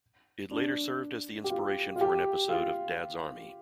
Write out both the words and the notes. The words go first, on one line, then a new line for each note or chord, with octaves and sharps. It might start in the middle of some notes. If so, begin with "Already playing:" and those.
It later served as the inspiration for an episode of Dad's Army.
D4
G4
F4
F4
G4
F4